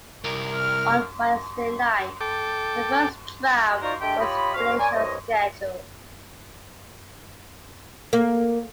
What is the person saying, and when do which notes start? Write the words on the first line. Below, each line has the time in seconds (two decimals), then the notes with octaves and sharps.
On Wednesday night, the first draft was finished on schedule.
0.24 C2 A#4
0.55 F6
2.21 A4 G5 D6
3.82 D#4 F4 F#4 A#4 C5 D5
4.01 G#3 A3 D4 G4 G5
4.19 F4 G4 C#5 D#5 B5
4.54 D2 C4 F#4 F5
4.79 A#4 C#5 D5 G#5
4.93 C2 G2 C#5 D#5
8.13 A#3